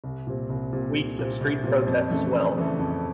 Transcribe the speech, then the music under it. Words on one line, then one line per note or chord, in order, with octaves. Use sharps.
Weeks of street protests swelled.
C2
A#2 G3 C4
C2
A#2 G3 C4
C2
A#2 G3 C4
C2
A#2 G3 C4
F2
C#3 E3 A3
F2
C#3 E3 A3
F2